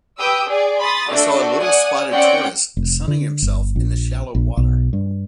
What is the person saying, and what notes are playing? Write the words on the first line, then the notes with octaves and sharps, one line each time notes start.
I saw a little spotted tortoise sunning himself in the shallow water.
G4 B4 G5 D#6 E6
G#4 D5
B5 C6 D#6 A6
A3 D4 F#4 A4
D5 F#5 G#5 D#6
C4 C#4 D5 F#5 G5 C#7
F1
D3
G1
A#1
A#1
B1
G2